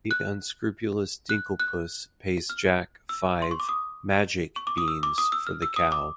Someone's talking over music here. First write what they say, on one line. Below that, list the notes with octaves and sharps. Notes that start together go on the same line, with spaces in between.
The unscrupulous Dinklepuss pays Jack five "magic" beans for the cow.
F#6
F#6
F#6
F6
E6
C6
C#6
D6
D#6
C#6
D6
D#6
E6
D6
D#6
E6
F6
E6
D#6
D6